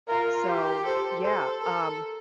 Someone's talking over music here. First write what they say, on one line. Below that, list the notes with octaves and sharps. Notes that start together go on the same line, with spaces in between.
So, yeah, um
F4 A#4
G4
A4 C5
A4 C5
A4 A#4